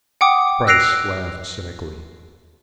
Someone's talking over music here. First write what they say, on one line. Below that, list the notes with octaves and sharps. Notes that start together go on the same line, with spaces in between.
Bryce laughed cynically.
F#5 G5 D6 D#6
E6 F#6 A#6 C7 D7 F7